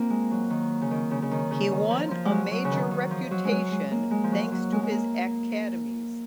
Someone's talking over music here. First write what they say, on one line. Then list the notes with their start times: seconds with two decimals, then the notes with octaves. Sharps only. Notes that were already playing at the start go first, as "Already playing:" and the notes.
He won a major reputation thanks to his academies.
Already playing: A#3 C4 F4
0.10 G#3
0.31 F#3
0.50 D#3
0.81 C#3
0.91 D#3
1.11 C#3
1.22 C#3
1.31 D#3
1.51 C#3
1.71 D#3
1.90 F3
2.11 F3
2.25 G#3
2.31 F#3
2.51 F#3
2.65 C#3
2.71 D#3
2.91 D#3
3.11 F3
3.31 F#3
3.45 G#3
3.51 F#3
3.71 G#3
3.91 A#3
4.11 G#3
4.24 F3
4.32 F#3
4.52 F#3
4.72 G#3
4.83 G#3
4.91 A#3